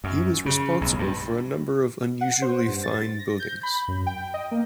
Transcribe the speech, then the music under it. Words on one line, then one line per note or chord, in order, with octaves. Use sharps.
He was responsible for a number of unusually fine buildings.
F#2
C#3
B1
G2
F#5
C5
G2
A6
A#6
G6
B5
F#2
G5
D#5
A#3